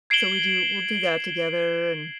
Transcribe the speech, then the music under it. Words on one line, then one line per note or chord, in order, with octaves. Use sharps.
so we do we'll do that together, and
G#6 C7 D7 E7 F#7 G7